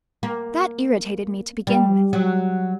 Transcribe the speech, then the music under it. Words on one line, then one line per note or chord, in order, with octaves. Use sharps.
That irritated me, to begin with.
A#3
G3
F#3